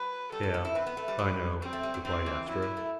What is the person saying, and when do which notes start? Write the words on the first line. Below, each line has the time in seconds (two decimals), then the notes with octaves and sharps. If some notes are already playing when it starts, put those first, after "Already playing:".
"Yeah, I know," replied Astro.
Already playing: F#3 B4
0.32 G3 A4
0.43 G3
0.54 B3
0.65 E4
0.75 C4 B4
0.86 B3
0.97 A3
1.08 G3
1.19 F#3
1.61 G3 C4
1.73 A3
1.83 G3
1.94 F#3
2.04 E3 C4
2.26 E3
2.48 F#3 E4
2.62 F#3
2.77 A3